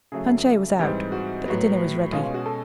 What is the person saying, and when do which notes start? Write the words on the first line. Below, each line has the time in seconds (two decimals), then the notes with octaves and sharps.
Planchet was out, but the dinner was ready.
0.12 C#3 F#3 A3 G#4
0.79 G#2 E3 G3 C4 G4
1.12 F#4
1.46 A2 F#3 B3
2.12 B2 G#3 C#4 F4
2.23 F4
2.34 F#4
2.46 A4